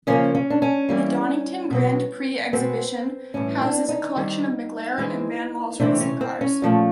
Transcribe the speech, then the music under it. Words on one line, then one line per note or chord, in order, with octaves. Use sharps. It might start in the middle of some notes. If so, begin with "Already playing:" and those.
The Donington Grand Prix Exhibition houses a collection of McLaren and Vanwalls racing cars.
C#3 F3 A#3 C#4
C#4
D4
C#4
E3 G3 A#3
B2 F#3 B3
B2 G#3 B3 C4
A2 E3 G3 C#4
D4
D#4
D#3 G3 C4
E3 G#3 C4
C3 E3 A3 C4 D4
C#4
C4
C#4
A#2 F3 A3